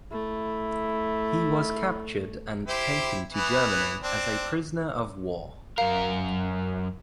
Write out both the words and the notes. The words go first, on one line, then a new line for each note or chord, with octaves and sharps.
He was captured and taken to Germany as a prisoner of war.
A3 E4
E4 G4 C5
E3 B3
C4 D4
F#2 A#4 F5